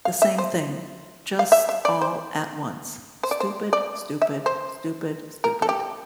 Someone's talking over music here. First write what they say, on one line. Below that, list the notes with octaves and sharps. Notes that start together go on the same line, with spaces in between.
The same thing, just all at once: stupid, stupid, stupid, stupid.
F5
E5
C5
F5
E5
E5
D5
C5
C5
D5
C5
D5
E5
C5
A#4
A4
G4